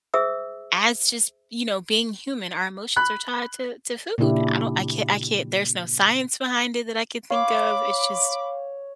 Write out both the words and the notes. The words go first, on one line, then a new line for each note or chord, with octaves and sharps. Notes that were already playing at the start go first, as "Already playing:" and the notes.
as just you know, being human, our emotions are tied to to food. I don't I can't I can't, there's no science behind it that I could think of It's just
G#4 C5 E5 D#6 E6
B5 F#6
A#2 C#3 D4 E4 G4
C#5 F5 B5 D6